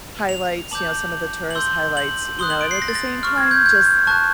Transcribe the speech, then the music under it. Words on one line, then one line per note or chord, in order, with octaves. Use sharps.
highlights, you know, some of the tourist highlights, you know, and at the same time, just
F7
A5 D6 G6 F#7
F#7
C6 E6 G6 G7
F#7
C6 D#6 F#6 G7
F#7
D7
C7
A#6
A6
A#6
C#6 F6
G#6
G6
G6
A5 C#6 F#6